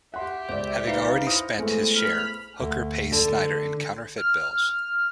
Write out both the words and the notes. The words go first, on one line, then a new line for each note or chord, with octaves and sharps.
Having already spent his share, Hooker pays Snyder in counterfeit bills.
G4 E5 F#5 C6
C#2 C5 D5
D#4 B4 F5
E4 C5 D#6
G#3 A3 B3
B5 F6
D2
D3
F6